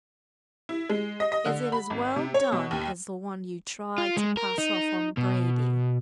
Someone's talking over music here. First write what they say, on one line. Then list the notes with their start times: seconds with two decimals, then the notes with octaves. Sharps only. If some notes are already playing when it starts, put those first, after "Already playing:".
"Is it as well done as the one you tried to pass off on Brady?"
0.69 E4
0.90 G#3
1.20 D#5
1.32 D#5
1.46 D3
1.72 B5
1.90 G#1
2.16 C3
2.34 C#5
2.52 B2
2.71 D#2
3.98 F4
4.17 G#3
4.37 A#4
4.58 D#4
5.17 B2